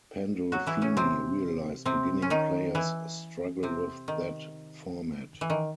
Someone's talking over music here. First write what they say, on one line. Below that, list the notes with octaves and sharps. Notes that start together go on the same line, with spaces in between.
Pandolfini realized beginning players struggle with that format.
F#3 F#4
E3 E4
C#3 C#4
C3 C4
C3 C4
C#4
D#3 D#4
E3 E4
C3 C4
D#3
E3
D#3